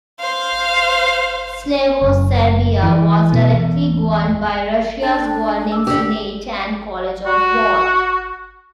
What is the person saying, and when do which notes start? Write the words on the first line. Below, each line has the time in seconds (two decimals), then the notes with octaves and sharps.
Slavo-Serbia was directly governed by Russia's Governing Senate and College of War.
0.20 C5 F5
2.02 F#1
2.83 E3
3.32 B2
3.53 E2
5.02 D4 A4 A5 A6
5.72 D6 E6
5.87 D3 C#4 G4 E6
7.26 F#4